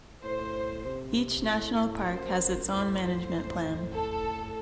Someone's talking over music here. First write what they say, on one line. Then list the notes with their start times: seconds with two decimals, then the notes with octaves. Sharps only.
Each National Park has its own management plan.
0.24 A2 C5
0.85 C3
1.47 A2
2.08 F#2 C5
2.70 A2 C5
3.93 A4